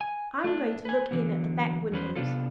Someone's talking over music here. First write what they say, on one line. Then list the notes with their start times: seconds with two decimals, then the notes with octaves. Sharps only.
I'm going to look in at the back windows.
0.01 G#5
0.44 A3 D4
0.85 B4 G#5
1.11 D3 E3 F#3 B3
1.92 E2 C#4 B4 C5
2.16 C3 B3 D4 F4 A4